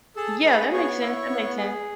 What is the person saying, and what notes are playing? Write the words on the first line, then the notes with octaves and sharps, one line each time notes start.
Yeah, that makes sense, that makes sense.
G#4 A4 A5
G#4 B4 B5
B3 C#5 C#6
E4
B3
G#4